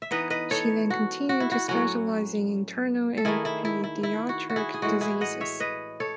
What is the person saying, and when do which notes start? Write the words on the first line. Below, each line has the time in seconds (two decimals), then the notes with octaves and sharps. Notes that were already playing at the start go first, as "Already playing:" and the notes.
She then continued to specialize in internal and pediatric diseases.
0.02 E5
0.11 E3 B3 D#4 B4 D#5
0.30 B4 D#5
0.51 A4 C#5
0.90 F#4
1.29 F#4
1.40 E4
1.52 F#4
1.68 A2 F#3 C#4 F#4
3.17 A4
3.25 D#3 A3 D#4 E4 G#4
3.45 E4
3.65 E4
3.84 E4
4.03 E4
4.29 F#4
4.50 F#4
4.56 E4 G#4
4.74 G#4
4.82 A2 E3 G#3 F#4
5.01 E4 G#4
5.21 D#5 F#5
5.41 C#5 E5
5.60 B4 D#5
6.00 A4 C#5